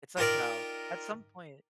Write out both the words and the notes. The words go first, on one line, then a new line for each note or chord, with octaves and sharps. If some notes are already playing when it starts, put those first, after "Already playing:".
It's like, no, at some point
D#4 F4 G4 A#4 D5